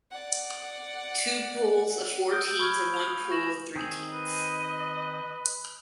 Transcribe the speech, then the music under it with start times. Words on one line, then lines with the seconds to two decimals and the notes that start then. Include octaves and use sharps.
Two pools of four teams and one pool of three teams.
0.11 D5 F#5
2.32 D#6 E6 G6 D7 G7
2.59 B5 C#6 F6 G#6 G7
2.94 F7 G7
3.31 C#6 A#6 E7 F#7
3.76 D#3 C4 G#4
4.13 B4 D#5